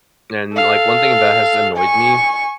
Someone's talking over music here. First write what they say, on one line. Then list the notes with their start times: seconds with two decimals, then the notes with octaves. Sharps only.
And, like, one thing that has annoyed me
0.53 A4 F5
1.77 G#5 C#6